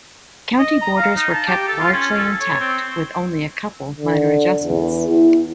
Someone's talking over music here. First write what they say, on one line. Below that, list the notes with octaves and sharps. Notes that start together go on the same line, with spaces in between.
County borders were kept largely intact, with only a couple minor adjustments.
D#5
A#5
F5
D#4
A5
G4
A4
F4
C#4
A4
C#5
C4
D3
E2
E4